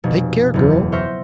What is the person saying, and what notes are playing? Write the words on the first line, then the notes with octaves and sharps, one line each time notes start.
"Take care, girl!"
F1 B2
F#1 E2
C5 E5 C#6 F6 G6 A#6